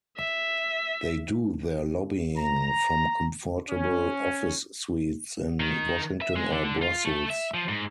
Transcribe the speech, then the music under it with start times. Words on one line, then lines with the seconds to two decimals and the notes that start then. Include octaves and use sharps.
They do their lobbying from comfortable office suites in Washington or Brussels.
0.18 E5
2.38 A#5
3.70 C#4
5.60 D#3
6.22 E5
6.36 G#3
6.51 D3
6.65 D3
6.82 F4
7.05 A3
7.30 E5
7.54 F3
7.69 G#2